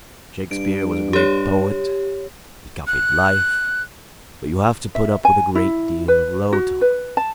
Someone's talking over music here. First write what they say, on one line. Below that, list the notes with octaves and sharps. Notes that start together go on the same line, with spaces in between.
"Shakespeare was a great poet; he copied life, but you have to put up with a great deal of low talk."
G2 D7
G4 C#5
F#6
E5
G#5
E4
B4
F#4
B4
A5